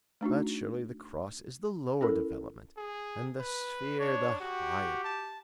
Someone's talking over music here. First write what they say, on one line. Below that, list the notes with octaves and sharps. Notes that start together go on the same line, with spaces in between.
But surely the cross is the lower development and the sphere the higher.
A3 D4 D#4 F#4
C#4 E4 A4 A#4
G#4
B4
D4 C#5
F#4 G4
A5